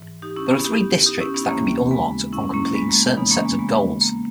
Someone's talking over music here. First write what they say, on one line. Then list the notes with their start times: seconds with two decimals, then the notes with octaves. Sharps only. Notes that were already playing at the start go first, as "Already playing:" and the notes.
There are three districts that can be unlocked upon completing certain sets of goals.
Already playing: G#2 E3
0.22 D#4 G4
0.36 C#4 E4
0.50 B3 D#4
0.64 D#4 G4
1.06 D#4 G4
1.20 C#4 E4
1.34 B3 D#4
1.48 D#2 C#3 E3 A#3 C#4
1.91 G#3 B3
2.32 C#4 E4
2.54 A#3 C#4
2.75 G#3 B3
2.89 A#3
3.03 G#3
3.17 E2 C#3 E3 B3 D#4
3.31 A#3 C#4
3.45 G#3 B3
3.59 G#3 B3
4.01 A#3